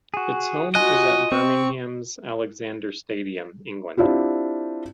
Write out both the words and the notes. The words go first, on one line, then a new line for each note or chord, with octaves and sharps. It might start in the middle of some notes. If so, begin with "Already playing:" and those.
Its home is at Birmingham's Alexander Stadium, England.
F#4 G#4
F4 F#4 D#5 G#5 F#6
C4 C5 C#6
C4 D4 E4 F4 G4